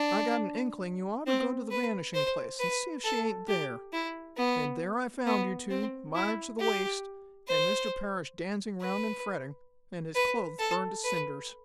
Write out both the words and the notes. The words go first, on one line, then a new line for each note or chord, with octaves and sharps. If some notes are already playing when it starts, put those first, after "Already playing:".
'I got an inkling you oughter go to the Vanishing Place and see if she ain't there.' And there I found you two, mired to the waist, and Mr. Parrish dancing around and fretting, and his clothes burned to cinders.
Already playing: D4
C4
B4
C5
B4
A4
G4
E4
B3
B3
C4
E4
G4
C5
B4
B4
A4
B4